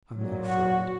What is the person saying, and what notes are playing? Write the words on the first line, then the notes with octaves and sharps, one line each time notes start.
"I'm not afraid."
A#2 F#3
F#4